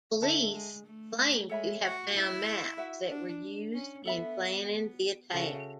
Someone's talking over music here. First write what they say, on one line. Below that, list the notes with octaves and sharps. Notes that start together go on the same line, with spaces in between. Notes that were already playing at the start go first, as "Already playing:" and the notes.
Police claimed to have found maps that were used in planning the attack.
D3 A4 E5 A5
G#3
A3
G#3 A4 C#5 E5 B5
F#4
E4
F#4 B4 E5
D4
C#4
B3 A4 E5 B5
C#3 F#4 A4 E5 A5